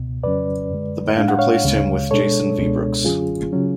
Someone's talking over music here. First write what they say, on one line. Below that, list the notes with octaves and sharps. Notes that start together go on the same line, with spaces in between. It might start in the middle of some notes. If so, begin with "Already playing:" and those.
The band replaced him with Jason Viebrooks.
Already playing: C#2 B2
F2 C#3 F#3 C#4 B4 D5
F#2 D3 G#3
A2 G#3 D4 F5
F#5
C#5 F5
D2 C#3 G#3
B2 G#3 D4 A4 C#5
C#2 B2 G#3 B3 D4
F#2 D3 F#3 C#4 F4 G#4
C#3 F#3 C#4